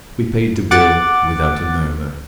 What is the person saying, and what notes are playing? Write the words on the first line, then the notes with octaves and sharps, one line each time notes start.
We paid the bill without a murmur.
F#5 D6 F#6 A6